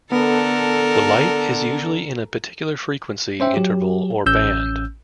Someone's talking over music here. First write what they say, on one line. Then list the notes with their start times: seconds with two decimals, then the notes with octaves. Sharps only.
The light is usually in a particular frequency interval or band.
0.12 D3 B3 A4 A#4
3.40 C#4 C5 E5 G5
3.54 F#3 G4
4.26 A1 C#4 E6 G6